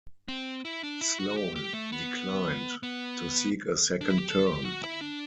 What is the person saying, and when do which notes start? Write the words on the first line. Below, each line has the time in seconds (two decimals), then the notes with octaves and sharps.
Sloan declined to seek a second term.
0.28 C4
0.65 E4
0.83 D4
1.01 E4
1.19 F#4
1.37 G4
1.56 G4
1.73 A3
1.92 B3
2.83 B3
4.01 D4
4.10 E4
4.19 G4
4.29 A4
4.47 G4
4.65 F#4
4.83 E4
5.01 D4